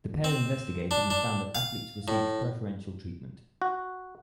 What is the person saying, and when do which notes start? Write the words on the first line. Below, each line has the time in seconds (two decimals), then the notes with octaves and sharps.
The pair investigated and found that athletes received preferential treatment.
0.24 C4
0.91 D4
1.10 D4
1.55 F5
2.08 A2
3.62 F#4